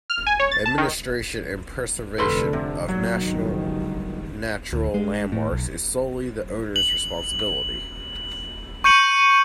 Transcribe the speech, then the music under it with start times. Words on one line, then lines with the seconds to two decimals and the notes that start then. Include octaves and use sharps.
Administration and preservation of National Natural Landmarks is solely the owner's responsibility.
0.10 F6
0.27 G#5
0.40 C#5
0.51 A6
0.66 A5
0.78 D#3
2.18 F1 D3 A4 B4 C6
2.53 C3
2.88 A#2 F#3
3.21 G1 C#2 D#3
4.73 D2
4.94 G#3
5.32 A2
5.52 B1
6.76 F#7
8.84 C#6 G6 C#7 D#7 F#7